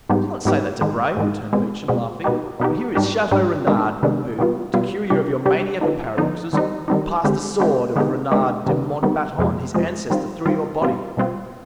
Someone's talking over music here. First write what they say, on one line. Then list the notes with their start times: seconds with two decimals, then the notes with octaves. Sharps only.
"Do not say that, Debray," returned Beauchamp, laughing, "for here is Chateau-Renaud, who, to cure you of your mania for paradoxes, will pass the sword of Renaud de Montauban, his ancestor, through your body."
0.09 G#2 G3 B3 D#4 G4
0.45 G#2 G3 B3 D#4 G4
0.81 G#2 D#3 G#3
1.17 G#2 D#3 G#3
1.53 B2 G#3 C4
1.88 B2 G#3 C4
2.24 B2 B3 D#4 G4
2.60 B2 B3 D#4 G4
2.95 G#2 G3 D4 G4
3.31 G#2 G3 D4 G4
3.67 C3 D#3 G#3 B3 D4
4.03 C3 D#3 G#3 B3 D4
4.39 B2 G3 B3 F4
4.74 B2 G3 B3 F4
5.10 C3 G3 D4 G4
5.46 C3 G3 D4 G4
5.81 D3 F3 B3 D#4
6.17 D3 F3 B3 D#4
6.53 D#3 G3 C4 D#4
6.88 D#3 G3 C4 D#4
7.24 D3 G#3 C4 G4
7.60 D3 G#3 C4 G4
7.96 D3 G#3 B3 D#4 G4
8.32 D3 G#3 B3 D#4 G4
8.67 C3 D#3 G3 B3
9.03 C3 D#3 G3 B3
9.39 F2 C3 F3 G#3
9.74 F2 C3 F3 G#3
10.10 D#3 G3 C4 F4
10.46 D#3 G3 C4 F4
10.82 B2 G3 C4 F4
11.17 B2 G3 C4 F4